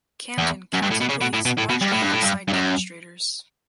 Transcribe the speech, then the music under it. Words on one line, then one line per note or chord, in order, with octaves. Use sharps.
Camden County Police marched alongside demonstrators.
E2
F#2
G2
A2
B2
C#3
B2
A2
B2
A2
B2
G2
A2
G2
A2
G2
G2
F#2